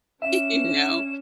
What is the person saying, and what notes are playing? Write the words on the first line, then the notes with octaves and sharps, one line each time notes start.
you know,
C#4 D4 E5 E7